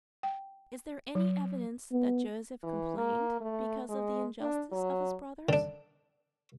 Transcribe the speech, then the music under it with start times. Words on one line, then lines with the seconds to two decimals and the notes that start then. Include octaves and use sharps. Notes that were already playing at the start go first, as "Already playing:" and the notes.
Is there any evidence that Joseph complained because of the injustice of his brothers?
0.23 G5
1.15 F#3
1.92 B3
2.63 E3
2.97 A#3
3.40 A3
3.89 G#3
4.40 D4
4.71 F#3
5.49 D3 D4